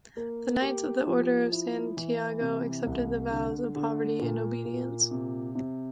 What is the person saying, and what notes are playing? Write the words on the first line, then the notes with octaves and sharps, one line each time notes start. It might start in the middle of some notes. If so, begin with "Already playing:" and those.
The knights of the Order of Santiago accepted the vows of poverty and obedience.
A#3
G4
F3
E4
E3
C3
C2
D3
D3
A#2
A#2
C3
C3